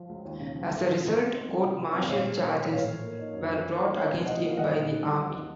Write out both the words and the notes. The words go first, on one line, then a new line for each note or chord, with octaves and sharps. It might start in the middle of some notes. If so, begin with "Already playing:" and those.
As a result, court-martial charges were brought against him by the Army.
Already playing: F3
C#2
D#2
C#3
F3
A3
C#3
A3
C4
D#4
C2
C3
F3
C4
A#2 C#5 F5
F3
A#3
A#2
A2 C#5 F5
F3
A#3
D#4
F#2
F3
A#3
D#4
C#2 C#5 F5
C3
F3 D#5 F#5
A#3
F5
C2 D#5 F#5
A#2
A3
C2
D#2
D#3